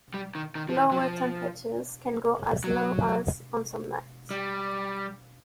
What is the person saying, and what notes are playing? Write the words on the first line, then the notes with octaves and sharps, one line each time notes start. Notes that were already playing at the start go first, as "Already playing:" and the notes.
Lower temperatures can go as low as - on some nights.
G3
D#3
D#3
F3
E3
F#3
F3
F#3
G3